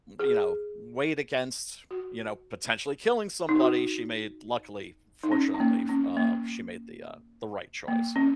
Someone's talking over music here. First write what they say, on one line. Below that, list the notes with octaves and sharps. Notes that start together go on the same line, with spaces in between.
w you know, weighed against, you know, potentially killing somebody, she made luckily, fortunately f uh, she made the, uh the right choice.
G#4
F#4
D#4
F#4
D#4
C#4
C#4
A#3
C#4
A#3
A#3
C#4